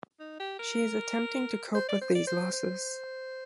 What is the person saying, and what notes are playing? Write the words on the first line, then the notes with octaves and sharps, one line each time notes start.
She is attempting to cope with these losses.
D#4
G4
A#4
C5
D5
C5
D5
C5
C5